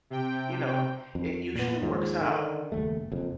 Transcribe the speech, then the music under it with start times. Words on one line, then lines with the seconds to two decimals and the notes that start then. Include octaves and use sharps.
you know, it usually works out.
0.10 C3 G5
1.15 F2
1.56 A#2 B3
1.82 D#2 G#2 F3 F#3
2.21 D3 D#3
2.72 F#1 D#2 A3
3.12 F#1 F2